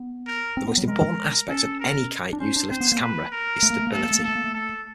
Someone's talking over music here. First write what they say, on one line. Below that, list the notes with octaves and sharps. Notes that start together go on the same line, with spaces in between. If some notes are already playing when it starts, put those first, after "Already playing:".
The most important aspect of any kite used to lift a camera is stability.
Already playing: B3
A#4
C4
B3
F#3
G3
G#3 A#4
C#4 A4
A#4
D4
C#4 C5
D4
C4 C5
B3
A#3
B4
A#4
A3
A#3
A3
A#3
A3 A4
A#3
A3
A#3
A3 A4
A#3
A3
A4